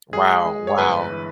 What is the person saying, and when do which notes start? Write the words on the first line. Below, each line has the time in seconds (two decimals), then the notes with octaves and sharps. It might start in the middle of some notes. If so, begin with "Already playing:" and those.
Wow, wow.
0.13 G#3 G#4
0.45 G#3
0.67 C#5
0.78 G1 B4
1.10 E3